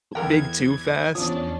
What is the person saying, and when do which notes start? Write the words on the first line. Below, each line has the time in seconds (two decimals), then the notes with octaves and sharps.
big too fast.
0.15 E2 A4 A#4 G5 G#6
1.15 E2 F3 C#4 D4 D#6